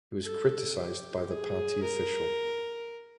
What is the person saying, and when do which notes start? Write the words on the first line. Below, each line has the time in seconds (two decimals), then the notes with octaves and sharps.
He was criticised by the party official.
0.24 A4
0.77 G4
1.30 G#4
1.83 A#4